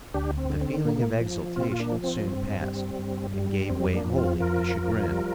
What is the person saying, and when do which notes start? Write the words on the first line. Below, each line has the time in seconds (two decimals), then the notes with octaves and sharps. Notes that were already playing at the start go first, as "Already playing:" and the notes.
But the feeling of exultation soon passed and gave way wholly to chagrin.
0.14 D2 D4 G4
0.38 C4
0.50 D3
0.61 C4
0.85 A#2 A#3
1.21 F3
1.56 A#2 C4 F4
1.71 F4
1.79 A#3 D4
1.92 F3
2.04 C4
2.27 G2 C4
2.62 G3
2.98 G2
3.34 G3
3.69 F2 C4
3.93 A#3 D4
4.05 F3
4.16 C4 F4
4.40 F2 F4 A#4
4.76 F3
5.12 G3